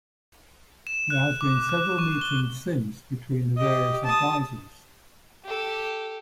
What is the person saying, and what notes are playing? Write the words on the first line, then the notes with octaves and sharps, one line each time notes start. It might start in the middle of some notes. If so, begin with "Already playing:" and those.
There has been several meetings since between the various advisers.
E7
F#6
D6
F#6
C#6
G7
G4 D#5
A5 D#6
G4 A4